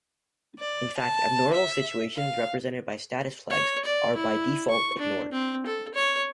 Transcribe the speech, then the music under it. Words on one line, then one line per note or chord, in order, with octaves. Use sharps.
In fact, abnormal situations represented by status flags are by default ignored!
D5
A5
E5
F5
C#5
D5
E4
C#6
D4
C4
A4
C#5